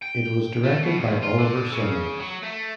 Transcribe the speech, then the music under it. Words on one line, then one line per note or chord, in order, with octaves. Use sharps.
It was directed by Oliver Sommer.
G5
A3
B2
D#2
F4
D3
C#3
F#3
A3